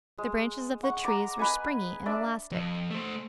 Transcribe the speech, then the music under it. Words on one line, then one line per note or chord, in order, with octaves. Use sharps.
The branches of the trees were springy and elastic.
G#3
F#5 C#6
A#5 D6
B4 D#5 G#5
D4 D5 E5
F2
A3 C5